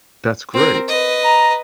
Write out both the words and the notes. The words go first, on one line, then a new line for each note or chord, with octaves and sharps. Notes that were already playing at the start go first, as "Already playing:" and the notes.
That's great.
C4 A#4
B4 D#5
A#5